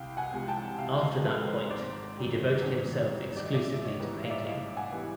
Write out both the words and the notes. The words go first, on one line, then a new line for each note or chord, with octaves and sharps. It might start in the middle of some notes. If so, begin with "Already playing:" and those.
After that point, he devoted himself exclusively to painting.
Already playing: C2 F5 G5
F#5 G#5
C3 F3 G#3
G5 A5
C2 F5 G5
D#5 F5
C3 F3 G#3 A4 B4
A#4 C5
G#1 C5 D5
F#2 D#3 G3
G#1
F#2 D#3 G3
D5
D#5
A1 D5 E5
E5
C#5 D#5
G#2 E3 G3 B3
E5
F5
D5 E5
A1 D#5 F5
F#5 G#5
E3 G3 B3